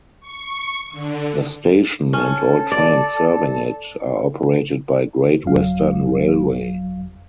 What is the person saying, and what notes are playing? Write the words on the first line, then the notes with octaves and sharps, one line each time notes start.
The station, and all trains serving it, are operated by Great Western Railway.
C#6
D3
C#4 A4
D5
G1 F2 F#3 F5